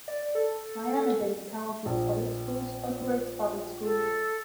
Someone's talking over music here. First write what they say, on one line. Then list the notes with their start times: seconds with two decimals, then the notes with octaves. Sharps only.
Miami-Dade County Public Schools operates public schools.
0.08 D5
0.35 A4
1.85 A#1
3.82 A4